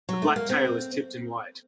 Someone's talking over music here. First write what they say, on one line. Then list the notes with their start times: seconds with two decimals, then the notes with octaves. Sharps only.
The black tail is tipped in white.
0.09 F#3
0.22 A3
0.36 A#3
0.50 C4